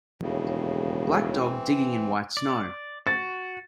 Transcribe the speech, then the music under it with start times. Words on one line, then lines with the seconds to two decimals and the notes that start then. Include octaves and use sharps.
Black dog digging in white snow.
0.22 E1 D#2 A2 C#3
1.37 E3 C4
2.37 D5
3.07 F#4 A6